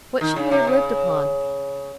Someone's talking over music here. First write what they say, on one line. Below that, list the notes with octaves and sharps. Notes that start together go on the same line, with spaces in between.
What should we have lived upon?
D#3
C#3
C3
C#3